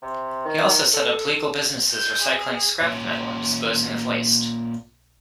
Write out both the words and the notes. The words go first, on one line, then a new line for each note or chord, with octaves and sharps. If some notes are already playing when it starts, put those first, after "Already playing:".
He also set up legal businesses recycling scrap metal and disposing of waste.
C3
D#3
A4
G6
G#4
A#2 C#4